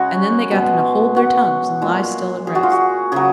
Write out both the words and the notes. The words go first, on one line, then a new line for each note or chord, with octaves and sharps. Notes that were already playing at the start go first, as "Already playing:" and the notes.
And then they got them to hold their tongues and lie still and rest.
Already playing: C#3 G#3 F#4 C#5 D#5
B2 G#3
F#4
A#2 G#3
G#4
F#4
F4
F#4
C#3 F#3 G#4